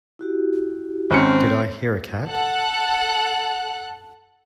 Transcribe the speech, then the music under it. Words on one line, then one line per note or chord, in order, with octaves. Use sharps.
Did I hear a cat?
E4 F#4 G4
G#1 C4 C#4 C#7
A4 F#5 F#6